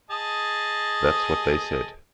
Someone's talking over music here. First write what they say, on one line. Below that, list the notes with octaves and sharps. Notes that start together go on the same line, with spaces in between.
That's what they said.
G#4 D#5 A5